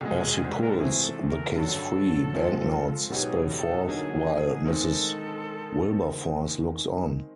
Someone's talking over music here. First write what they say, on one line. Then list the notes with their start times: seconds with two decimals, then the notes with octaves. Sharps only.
As he pulls the case free, banknotes spill forth while Mrs. Wilberforce looks on.
0.01 C2 B2 G#3 G#4 A4
0.44 C5
0.52 B4
0.61 A#4
0.70 A4
0.78 C3 E3 A3 C4 G#4
1.04 A4
1.30 A#4
1.55 G2 D3 F#3 A4
2.33 F3 G#3 C4 F4
3.11 B2 F#3 B3 D#4 G4 G#4
3.49 A#4
3.53 A4
3.88 D3 F#3 A#3 D#4 G#4
4.53 G#4
4.65 D#3 G#3 C4 D#4 A4 A#4